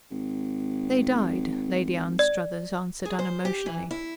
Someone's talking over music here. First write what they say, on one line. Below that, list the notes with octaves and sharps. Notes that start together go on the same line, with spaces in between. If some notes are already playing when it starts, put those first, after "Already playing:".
"They died," Lady Anstruthers answered unemotionally.
G#1
D5
G#4
C5
G4
E3
E4